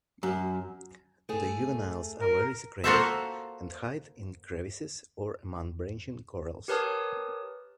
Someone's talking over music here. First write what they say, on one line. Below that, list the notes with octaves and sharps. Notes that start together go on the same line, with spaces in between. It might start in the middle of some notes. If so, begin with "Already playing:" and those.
The juveniles are very secretive and hide in crevices or among branching corals.
F#2
A3 G#4
A#4
A#3 F4 F#4 A4 C5 E5
G4 A#4 B4 C#5 A5 D#6